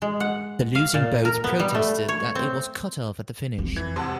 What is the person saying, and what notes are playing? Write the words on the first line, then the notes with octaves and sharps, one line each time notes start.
The losing boat protested that it was cut off at the finish.
G#3
F#5
F5
A#2
A#4
B3
G3
A3
C#5
C4
F2
E3 G#6
G#1 C3 F#5 A5 C6